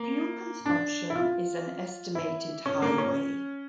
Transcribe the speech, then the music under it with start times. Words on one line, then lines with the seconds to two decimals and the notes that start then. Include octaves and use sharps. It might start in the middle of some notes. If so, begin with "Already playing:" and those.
Fuel consumption is an estimated highway.
Already playing: A#3
0.66 D4
1.10 E4
1.15 F4
2.15 E4
2.66 C#4
2.82 A#3
2.98 C#4